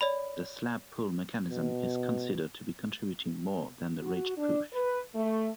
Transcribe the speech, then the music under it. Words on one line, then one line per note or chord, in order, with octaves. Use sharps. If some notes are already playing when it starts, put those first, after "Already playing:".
The slab pull mechanism is considered to be contributing more than the ridge push.
C#5 D5 B5
B2
F#4
D4
B4
A3